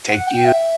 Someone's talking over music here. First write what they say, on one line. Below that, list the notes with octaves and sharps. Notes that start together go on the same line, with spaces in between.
thank you.
F#5
G5
E5